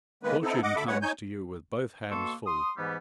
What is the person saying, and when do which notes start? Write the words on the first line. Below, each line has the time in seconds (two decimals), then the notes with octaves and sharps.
Fortune comes to you with both hands full.
0.23 D#3 G#3 A#3 B3 B4
0.42 B3 C4 D#4 E4 A4
0.63 D#5 F#5 D6
0.76 D2 D3 A4 E5 B5 D6
0.88 G2 G#3 B4 C#5 F#5
1.02 D#4 C#5 G#5 G6
2.10 B2 A#3 A4 C6 C#6
2.46 C6 D#6
2.77 G#2 E3 G3 B3